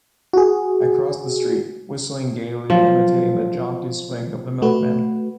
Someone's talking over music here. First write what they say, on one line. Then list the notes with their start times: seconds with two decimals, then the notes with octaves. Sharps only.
I crossed the street, whistling gaily and imitating the jaunty swing of the milkman.
0.33 F#4 G#4
2.70 F3 F#3
4.62 A3 F#4 B4